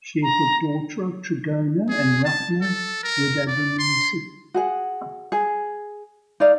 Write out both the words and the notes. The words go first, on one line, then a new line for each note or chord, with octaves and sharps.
She is the daughter of Trenggono and Rachma Widadiningsih.
A#5
G#4
A5
A4
A#4
D5
C6
F#4 G#4 F#5
G#4
D#4 D5 F5